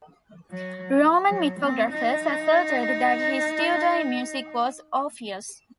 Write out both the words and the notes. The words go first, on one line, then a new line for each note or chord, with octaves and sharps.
Roman mythographers asserted that his tutor in music was Orpheus.
F#3
F#3
C4
D#4